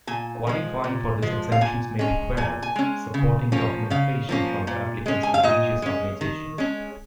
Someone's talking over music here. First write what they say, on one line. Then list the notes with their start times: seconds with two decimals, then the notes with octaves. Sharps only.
Qualifying for this exemption may require supporting documentation from the applicant's religious organization.
0.07 A#2 G#5
0.47 F3 G#3
0.84 A#2
1.22 F3 G#3
1.52 F5
1.61 A#2 G#5
1.99 G#3 C#4
2.37 A#2 G#5
2.63 G#5
2.76 G#3 C#4
3.14 C#3
3.52 F3 A#3 C#4
3.90 C#3 F5
4.29 F3 A#3 C#4
4.67 A#2
5.06 G#3 C#4
5.23 G#5
5.34 F5
5.43 A#2 D#5
5.82 G#3 C#4
6.21 D#3
6.58 G#3 C#4